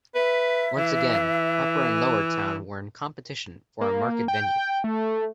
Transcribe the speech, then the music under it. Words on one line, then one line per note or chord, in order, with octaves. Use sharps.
Once again Upper and Lower Town were in competition for a market venue.
B4 E5
E3
A#3
G5
A3